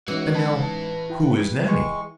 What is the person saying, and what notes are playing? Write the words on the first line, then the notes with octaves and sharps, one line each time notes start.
And, now, who is Nannie?
E3 G#3 C#4 D#4 F#4
B4 A5
E4 G5
G#3 C#6